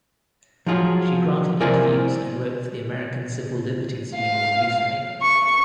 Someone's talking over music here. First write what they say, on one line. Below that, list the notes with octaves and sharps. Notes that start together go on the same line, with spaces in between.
She granted interviews and wrote for the American Civil Liberties Union newspaper.
F3 F#3 F4 G#4
C3 E4 A#4 C5 D5 G#5
F5
C#6